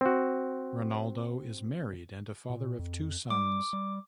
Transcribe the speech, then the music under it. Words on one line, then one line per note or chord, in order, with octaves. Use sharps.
Ronaldo is married and a father of two sons.
C4 F#4
A#2
F2
G3 D6
G3